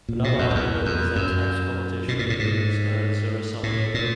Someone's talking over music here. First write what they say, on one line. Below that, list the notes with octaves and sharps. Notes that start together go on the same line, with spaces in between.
Another argument is that tax competition is a zero-sum game.
A#2
B2
F2
F2
E2
F2
F#2
B2
A#2
A2
G#2
A2
A#2